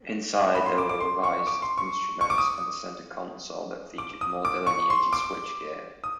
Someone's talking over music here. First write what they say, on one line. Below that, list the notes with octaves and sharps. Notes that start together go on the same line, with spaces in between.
Inside, there were revised instruments and a centre console that featured more delineated switchgear.
B5
C6
D6
D6
C6
C#6
D6
C6
C#6
C#6
D6
D#6
D6
D#6
D6
C#6
C6
D6
D#6